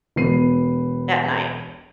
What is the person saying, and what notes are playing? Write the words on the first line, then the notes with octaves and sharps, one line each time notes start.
at night.
E1 B3 C7 D#7